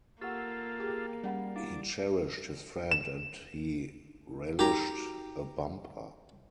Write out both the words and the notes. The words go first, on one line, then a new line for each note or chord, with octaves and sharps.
He cherished his friend and he relished a bumper.
A#3 F4 G4 A4 F#5 E6
G4 G#4
G3 C#4 F#5 B5
D4 E4 F5
E7
D#4 F#4 G4 A#5